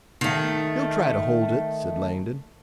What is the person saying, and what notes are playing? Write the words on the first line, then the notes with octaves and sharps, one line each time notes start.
"He'll try to hold it," said Langdon.
D#3 A3